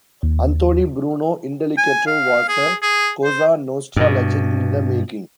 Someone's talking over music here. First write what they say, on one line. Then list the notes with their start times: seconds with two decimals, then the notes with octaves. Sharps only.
Anthony "Bruno" Indelicato was a Cosa Nostra legend in the making.
0.23 D#2
1.78 G#5
2.07 F5
2.48 G#4
2.82 G#4
3.24 C5
3.96 G2 B2